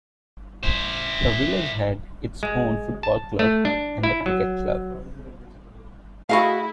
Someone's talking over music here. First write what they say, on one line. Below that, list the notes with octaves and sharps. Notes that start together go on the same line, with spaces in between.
The village had its own football club and a cricket club.
E4 C5
G#3
A5
A3
D4
E4
F#3
A3 E4 F#4 G#4 D#5 F5 B5